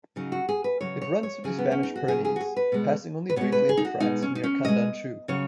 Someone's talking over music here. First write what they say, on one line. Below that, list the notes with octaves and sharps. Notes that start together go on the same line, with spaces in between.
It runs through the Spanish Pyrenees, passing only briefly into France near Candanchu.
C#3 F#3 D#4
F#4
G#4
B4
C#3 F#3 C#5
C#5
C#5
C#3 F#3 G#4
B3
C#4
D#4
F#4
C#3 F#3 G#4
G#4
F#4
G#4
B4
B2 G#3
B4
B2 G#3 C#5
B4
G#4
D#4
F#4
B2 G#3 D#4
C#4
D#4
C#4
B2 G#3 D#5
C#3 F#3 C#5